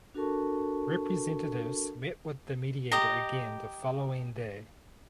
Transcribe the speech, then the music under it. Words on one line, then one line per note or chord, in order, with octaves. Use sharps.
Representatives met with the mediator again the following day.
D4 F#4 A4 A#4 A5 C#6
G4 D#5 A#5